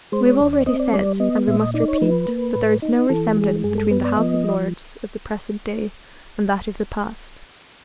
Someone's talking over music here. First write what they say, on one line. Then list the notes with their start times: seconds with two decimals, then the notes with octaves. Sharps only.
We have already said, and we must repeat, that there is no resemblance between the House of Lords of the present day and that of the past.
0.12 G#3 C5
0.25 C#5
0.39 D#2 C#5
0.53 D5
0.66 C4 D#5
0.79 D5
0.93 G3 D5
1.20 B3 D#5
1.47 A#2 E5
1.61 D#5
1.74 D#4 D5
1.88 C#5
2.01 F3 B4
2.28 A#3
2.55 A2
2.82 D#4
3.09 E3 A4
3.37 G#3 G#4
3.64 G2 G#4
3.78 A4
3.91 B3 B4
4.05 D5
4.12 E5
4.17 F3 D#5